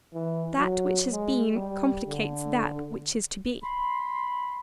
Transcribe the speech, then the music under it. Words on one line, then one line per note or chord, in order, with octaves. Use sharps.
That which has been complicates that which is to be.
E3
F#3
G#3
G3
D3
B5 C6